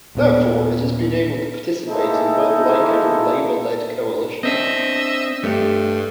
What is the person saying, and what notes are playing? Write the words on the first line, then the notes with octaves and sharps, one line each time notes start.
Therefore, it has been able to participate in both Likud- and Labour-led coalitions.
D#1 A#2 B3
G#3 A#3 D#4 E4 A4
C4 D4 D#5 E5 E6
G2 A3 G4